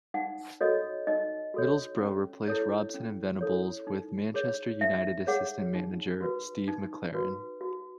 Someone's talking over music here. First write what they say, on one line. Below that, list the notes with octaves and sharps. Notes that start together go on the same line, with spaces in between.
Middlesbrough replaced Robson and Venables with Manchester United assistant manager Steve McClaren.
D#4 F#5
F#4 A4 C#5 D#5
D#4 D#5
F#4 A4 C#5
C#4
E4 A4 C#5
C#4
E4 A4 C#5
D#4
G#4 C#5
D#4 E5
G#4 C#5 F#5
D#4
F#4 B4
D#4
F#4 B4
F#4